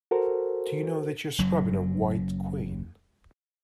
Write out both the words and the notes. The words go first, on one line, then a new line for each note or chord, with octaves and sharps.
Do you know that you’re scrubbing a White Queen?
F#4 A4 A#4 C5
F#1 F#2 F#3